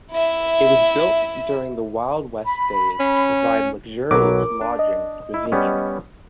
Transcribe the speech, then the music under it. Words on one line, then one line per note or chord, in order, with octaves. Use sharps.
It was built during the Wild West days to provide luxurious lodging and cuisine.
E4 E5
B5
C#4
B1 F#3 A#4 B4 D6
D4
D#5
E4
G3 B3 C#4